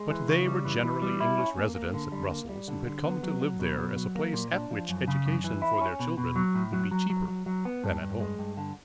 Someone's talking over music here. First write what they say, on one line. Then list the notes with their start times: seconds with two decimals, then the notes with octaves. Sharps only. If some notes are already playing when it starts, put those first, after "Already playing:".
But they were generally English residents at Brussels, who had come to live there as a place at which education for their children would be cheaper than at home.
Already playing: G#3
0.10 E3
0.28 C#3
0.46 G3
0.65 E3
0.83 E3
1.02 G3
1.20 E4
1.38 C#4
1.57 A#3
1.75 A#3
1.94 D3
2.12 G3
2.31 A#3
2.49 G3
2.68 D3
2.86 D3
3.04 B3
3.23 F#3
3.41 F#3
3.60 B2
3.78 F#3
3.96 F#3
4.15 A#3
4.34 A#2
4.52 D4
4.71 F3
4.89 F#2
5.08 C#3
5.26 F#2
5.44 E3
5.62 E4
5.81 C#4
6.00 B2
6.17 B2
6.36 F#3
6.55 A2
6.73 F#3
6.91 F#3
7.10 F#3
7.28 F#3
7.46 F#3
7.65 B3
7.84 G2
8.02 G2
8.20 G#3
8.39 G2
8.57 D3